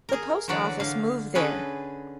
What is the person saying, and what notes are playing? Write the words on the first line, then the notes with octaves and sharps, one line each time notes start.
The post office move there.
G#4 A#4
D3 E3 F#3 F#4 D5
D3 F5
D3 C#4 G#4 A4 B4